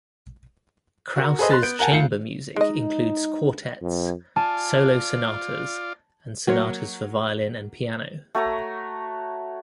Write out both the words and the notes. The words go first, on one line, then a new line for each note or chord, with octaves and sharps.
Kraus's chamber music includes quartets, solo sonatas, and sonatas for violin and piano.
F#4 A#4
G#4 A4 B4 C5 D#5
C6 F#6 A6
B3 G6 D7
A#4 F#5 G#5 A5
D2 F4 C7 C#7
G#3 D#4 D#5
F2
F4 D5 G#5 A5
F#3 A#3 C#5
A3 F#4 C#5 A#5